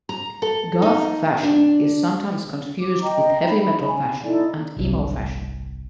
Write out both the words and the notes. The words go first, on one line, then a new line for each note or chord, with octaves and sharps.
Goth fashion is sometimes confused with heavy metal fashion and emo fashion.
A#5
A4
D#4
D4
D6
D#5 G5 A#5
D#4 B5
G#5
D#4 E4 A4 D5
G1 C2